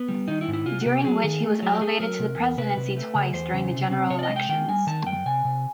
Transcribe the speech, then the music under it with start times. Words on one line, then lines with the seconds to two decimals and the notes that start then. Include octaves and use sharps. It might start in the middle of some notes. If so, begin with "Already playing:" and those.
During which he was elevated to the presidency twice during the general elections.
Already playing: B3
0.09 G3
0.28 D#3 D#4
0.41 E4
0.48 G#2
0.53 E4
0.66 C3 F4
0.81 F#4
0.86 C3 G4
1.04 F#3 G#4
1.24 D#3
1.44 A3
1.62 F#3
1.72 G4
1.81 A3 G#4
2.00 F#3 A#4
2.19 C3
2.38 E2
2.58 C3 B4
2.77 C3
2.97 A3
3.15 C#3
3.34 E2 C5
3.53 C#3
3.73 C3
3.91 C4
4.10 C3 C#5
4.19 D5
4.23 D#5
4.29 G#3
4.36 G5
4.49 D#3 G5
4.68 G3 G#5
4.87 D#3 A5
5.06 F#2 G5
5.26 C3 G#5
5.45 C3